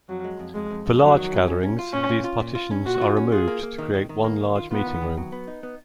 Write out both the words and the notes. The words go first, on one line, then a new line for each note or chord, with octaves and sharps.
For large gatherings, these partitions are removed to create one large meeting room.
F2 F#3
G#3
F2
F2 G#3
F2
F2
F2 F#3
D#3
F2
C#4
C#4
F4
A#2 C#4
A#2
F4
A#2
F4
C#4
A#2 F#4
F4
C#4
F4 G#4
A#3
A#3
D#3
D#3
D#3
A#3
D#3
F4
B3 F4
D#3
D#3
F#3
B3
D#4
B3